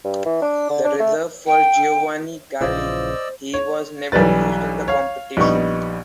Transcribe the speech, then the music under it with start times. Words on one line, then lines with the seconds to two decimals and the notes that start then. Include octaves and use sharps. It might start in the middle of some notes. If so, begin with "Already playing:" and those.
The reserve for Giovanni Galli, he was never used in the competition.
0.04 G2
0.26 E3
0.42 D4
0.70 D3
0.84 D4
1.00 A3
1.46 G5
2.61 A#1 C#3 E3 F4 C5 D5 D#5 E6
3.54 C#5
4.12 B1 E3 G3 B4 A6
4.88 C#5 F5
5.37 A#1 G3 B3 D#4 C#6